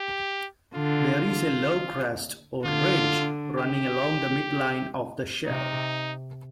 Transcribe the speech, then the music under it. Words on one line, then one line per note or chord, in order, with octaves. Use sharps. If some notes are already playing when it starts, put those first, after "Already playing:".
There is a low crest or ridge running along the midline of the shell.
Already playing: G4
D3 F4
D3 F4
G4
C3 D#4